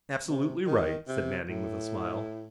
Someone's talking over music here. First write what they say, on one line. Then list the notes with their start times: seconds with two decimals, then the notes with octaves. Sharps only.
"Absolutely right," said Manning with a smile.
0.26 C3
0.67 D#3
1.08 C3
1.49 A2